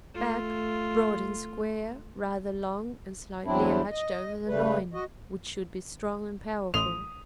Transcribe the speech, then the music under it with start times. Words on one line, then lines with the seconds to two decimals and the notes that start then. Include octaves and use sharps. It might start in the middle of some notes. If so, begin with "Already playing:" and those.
BACK--Broad and square, rather long and slightly arched over the loin, which should be strong and powerful.
0.15 A3 F4
3.45 E2 F#3 C4 D4 E4
3.90 D#5
4.48 C#3 G3 A3 B4
4.94 F#4 D#5
6.74 A1 A2 C6 D#6 F7